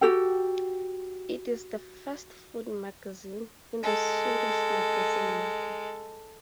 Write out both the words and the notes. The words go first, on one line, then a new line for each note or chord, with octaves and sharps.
It is the first food magazine in the Swedish magazine market.
F#4 G4 A4 G5
G#3 A4